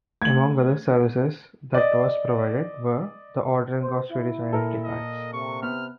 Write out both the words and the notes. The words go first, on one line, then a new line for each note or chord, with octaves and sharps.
Among other services that was provided were the ordering of Swedish identity cards.
A3 G#6 F#7
D5 D#5
C5
E4
A#2 A4 A#4
D#5
C3 C#6
B3 F6